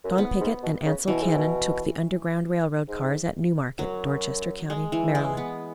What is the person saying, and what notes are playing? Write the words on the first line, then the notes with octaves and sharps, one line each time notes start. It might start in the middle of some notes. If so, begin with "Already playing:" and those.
John Pinket and Ansal Cannon took the Underground Rail Road cars at New Market, Dorchester county, Maryland.
F#2
G#2 B3
G#2
B2
C#3
B2 E3
G#2
B2
G#2
F#2 F#3
G#3
E3
G#3
B3